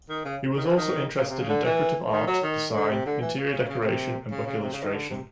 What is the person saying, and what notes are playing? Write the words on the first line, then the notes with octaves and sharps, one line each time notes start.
He was also interested in decorative art, design, interior decoration and book illustration.
D#3
C#3
D#3
E3
D#3
C#3
C3
C#3
D3
E3
D#3
F#3
D#3
D3
C3
D3
E3
C#3
C#3
C#3
C3
C#3
C#3
C3
C#3
D#3
D3
C3